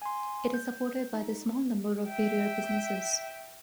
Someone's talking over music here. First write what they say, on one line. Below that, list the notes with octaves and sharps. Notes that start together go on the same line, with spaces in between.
It is supported by the small number of Brier businesses.
G#5 C6
G6
D#4
E5 G5